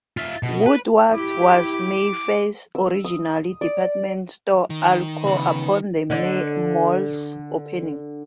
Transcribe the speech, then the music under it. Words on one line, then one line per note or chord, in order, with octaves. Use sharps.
Woodward's was Mayfair's original department store anchor upon the mall's opening.
F4 E5
B2
B4
E4 G4 D6
E6
D#6
D5
D#3
C#3 B3 B5
D3 C#5 D5